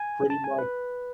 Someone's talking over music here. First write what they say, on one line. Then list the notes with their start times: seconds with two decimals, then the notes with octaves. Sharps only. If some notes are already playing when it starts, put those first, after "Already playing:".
Pretty much
Already playing: G#5
0.30 A5
0.44 G#5
0.58 B4